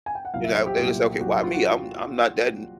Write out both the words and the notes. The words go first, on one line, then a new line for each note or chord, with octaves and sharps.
You know, I they would say, "Okay, why me? I'm I'm not that n
G#5
G5
F#5
C2 A#2 F#3 F5
E5
C5
G4
C2 A#2 F#3
C2 A#2 F#3 F#4
F#4
F4
F#4